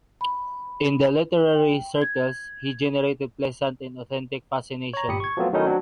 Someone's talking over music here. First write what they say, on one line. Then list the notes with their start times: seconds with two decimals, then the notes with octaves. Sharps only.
In the literary circles he generated pleasant and authentic fascination.
0.21 B5
1.55 G5
2.02 G#6
4.93 C#5 A#5
5.08 G1 A#2 G4 B5 D#6 C#7
5.20 C#6 G#6
5.37 F3 F#3 A3 B3 C4 F4
5.53 D#3 F#3 A3 C#4 D#4 E4
5.66 F#3 C4 D4